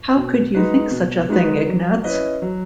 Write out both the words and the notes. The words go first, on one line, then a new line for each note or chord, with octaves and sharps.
How could you think such a thing, Ignatz?
B2
G#3 D#4 F#4 B4
B2
G#3 D#4 F#4 B4
F#3
C#4 E4 B4 D#5
F#3